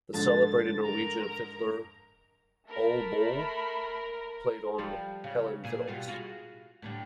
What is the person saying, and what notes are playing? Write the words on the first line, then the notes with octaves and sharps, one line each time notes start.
The celebrated Norwegian fiddler Ole Bull played on Helland fiddles.
G#2 D3 F3 A6
A#4 A#5
A3 A#4 B5
F3 G3 A4
C#3
A#2 G#4
B2 G3 F4
F4 F#4 G#4
A2 D3 G3